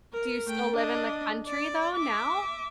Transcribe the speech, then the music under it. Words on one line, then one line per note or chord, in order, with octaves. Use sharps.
Do you still live in the country though, now?
A#4
A3 G5
D4 D#5
D5
E5 D6